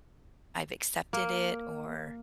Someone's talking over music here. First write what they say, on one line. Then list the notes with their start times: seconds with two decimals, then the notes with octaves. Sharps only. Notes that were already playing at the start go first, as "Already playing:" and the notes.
I've accepted it, or,
1.13 A#3